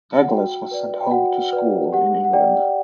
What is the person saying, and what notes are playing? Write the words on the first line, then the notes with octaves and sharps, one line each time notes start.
Douglas was sent home to school in England.
F#5
F#4 G5
B4 D5
G5
F#4 F#5
B4 D5
G4 F#5
F#5
D5 G5